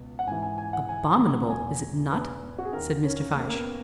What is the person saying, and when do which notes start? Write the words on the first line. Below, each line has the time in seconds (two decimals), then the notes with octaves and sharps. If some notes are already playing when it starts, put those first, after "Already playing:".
"Abominable, is it not?" said Mr. Fyshe.
Already playing: C#2 B2
0.19 F#5
0.27 G#2 E3 G#5
0.42 G#5
0.58 G#5
0.73 F#5
0.89 G#5
1.19 A#5
1.49 E2 B2 G#5
2.12 B4
2.58 F#4
2.65 G#4
2.73 D#2 D#3 A#4
3.04 C#4
3.35 A#3
3.48 A#3
3.55 B3